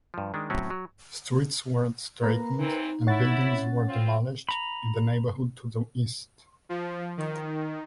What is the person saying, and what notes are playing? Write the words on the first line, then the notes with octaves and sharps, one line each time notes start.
Streets were straightened and buildings demolished in the neighborhood to the east.
G2 F3
D#3 G#3 D4
A2 F#3 C4 C#4
F#3
A#3 A#4 B4 A#5
D#2 E3 C4 D#4
E4 C#5 F#5 A6
C#4
C4 F4
A#5 B5
F3
D#3